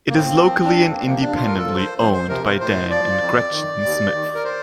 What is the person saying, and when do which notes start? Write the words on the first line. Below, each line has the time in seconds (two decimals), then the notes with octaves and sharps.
It is locally and independently owned by Dan and Gretchen Smith.
0.09 A#3
0.13 A2 C4
0.44 F3 C4
0.64 D4
0.75 F2 C4
0.90 A#3
1.05 C3 F3 A#3
1.21 D4
1.36 A2 F4
1.47 A#4
1.57 A4
1.67 F3
1.77 C5
1.98 F2 C5
2.13 C5
2.28 C3 F3 A#4
2.44 C5
2.59 A2 C5
2.90 F3 D5
3.20 F2
3.51 D#3
3.82 D#2
4.13 D#3
4.35 A#4
4.44 C5